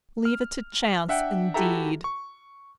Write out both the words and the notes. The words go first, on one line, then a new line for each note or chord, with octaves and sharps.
Leave it to chance indeed!
F6
D4 E5 F#5 G5
E4 F#4 G4 A4 E5 A#5
C#6